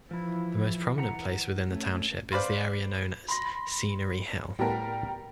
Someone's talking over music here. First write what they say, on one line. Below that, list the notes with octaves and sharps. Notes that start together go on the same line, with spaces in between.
The most prominent place within the township is the area known as Scenery Hill.
E3 F3 E4
F#5 A#5
A3 C#4
B4 C5 D5 F5 B5 C6
B5 C6 A#6
A2 G3 B3 A#4 G5 A5